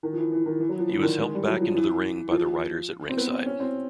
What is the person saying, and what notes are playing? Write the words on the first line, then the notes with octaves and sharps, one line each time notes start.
He was helped back into the ring by the writers at ringside.
D#3
F3
E3
E3
D#3
E3
F#3
F3
E3
D3
D#3
G#3
G3
F#3
F3
E3
F3
C4
B3
C4
C#4
C4